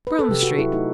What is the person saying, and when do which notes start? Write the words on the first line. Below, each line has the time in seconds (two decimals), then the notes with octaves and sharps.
Groome Street.
0.07 B4
0.19 A4
0.29 C3 G4
0.43 C3 F#4
0.57 F#3 E4
0.72 A3 D#4